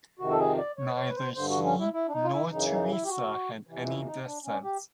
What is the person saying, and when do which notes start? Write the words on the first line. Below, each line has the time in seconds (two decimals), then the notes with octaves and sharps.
Neither he nor Teresa had any descent.
0.19 F2 C3 D#3 F#4
0.31 A4
0.39 G#4
0.58 D5
0.78 C#5
0.97 C#5
1.10 B4
1.16 C5
1.35 G2 D3 C5
1.50 F#4
1.64 C#4
1.79 E4
1.93 E4
2.08 D4
2.13 D#4
2.24 F4
2.32 E4
2.51 F#2 C#3 E3 D#4
2.71 D#4
2.90 E4
3.04 G4
3.09 F#4
3.67 F2 C3 E3
3.87 E4
4.06 D#4
4.25 D4
4.45 C#4
4.64 G4